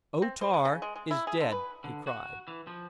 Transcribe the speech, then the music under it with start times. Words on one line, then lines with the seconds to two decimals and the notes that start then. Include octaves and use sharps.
"O-Tar is dead!" he cried.
0.22 C4
0.41 C5
0.54 G#3
0.65 C#3
0.82 G#3
0.96 G#3
1.11 E4
1.27 G#4
1.40 D3
1.52 B4
1.84 D3
2.07 F#4
2.48 E3
2.67 F3